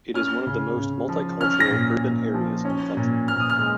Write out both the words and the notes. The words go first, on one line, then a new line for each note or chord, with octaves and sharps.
It is one of the most multicultural urban areas in the country.
C#4 F6
C#3
C#3
F3
C#4 F6
A#6
A#2
A#2
F3
C#4
A#2
A#2 F6
D#6
F6
G#3